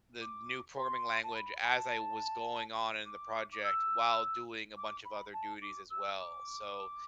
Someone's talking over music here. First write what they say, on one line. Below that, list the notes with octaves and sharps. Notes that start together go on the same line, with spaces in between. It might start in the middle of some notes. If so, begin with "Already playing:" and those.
the new programming language as I was going on in the project while doing a bunch of other duties as well. So
D6
C6
A5
B5
B5
A5
D6
D6
E6
D6
B5
A5
D6
E6
D6